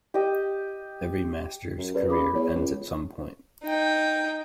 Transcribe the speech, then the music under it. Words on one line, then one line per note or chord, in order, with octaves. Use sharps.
Every master's career ends at some point.
G4 D#5
F#2
F#2 G#4 B4 D5
C#3 B5 D6 D#6
E2 C#5
C#2
D#4 G5